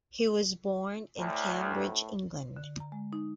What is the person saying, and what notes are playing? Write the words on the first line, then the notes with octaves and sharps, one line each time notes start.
He was born in Cambridge, England.
D2 A2
D3
A#5
G#3
D#4